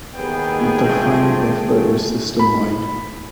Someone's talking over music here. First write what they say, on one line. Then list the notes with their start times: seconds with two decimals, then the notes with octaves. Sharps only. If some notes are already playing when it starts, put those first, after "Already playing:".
The find buffer is system wide.
0.15 D#2 B3 G#4 G5
0.85 F2 F3 G#3 A3
2.39 B5